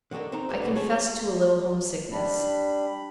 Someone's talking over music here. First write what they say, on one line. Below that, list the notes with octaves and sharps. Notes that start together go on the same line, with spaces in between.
I confessed to a little homesickness.
D3 D#3 A3 A4 A#4
C4 D#4 A#5
G4 A4 B4
D2 B2 B4
C#2 F3 G#4 C#5 A5
G3 D4 B5